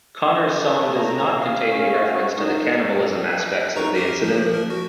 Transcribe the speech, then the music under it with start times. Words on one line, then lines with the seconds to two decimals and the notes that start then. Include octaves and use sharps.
Connors' song does not contain any reference to the cannibalism aspects of the incident.
0.60 A4 B4
0.94 A#5
1.37 F5
1.69 C#4 F5
2.07 F#4
2.37 D#4
3.76 D#4 A#5 C#6
3.95 G4 A#4
4.24 F3
4.54 A#4
4.70 F#4